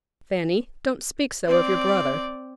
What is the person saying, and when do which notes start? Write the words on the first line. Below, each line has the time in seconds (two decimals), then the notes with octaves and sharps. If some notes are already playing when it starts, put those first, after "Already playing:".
'Fanny, don't speak so of your brother.
1.47 C4 D5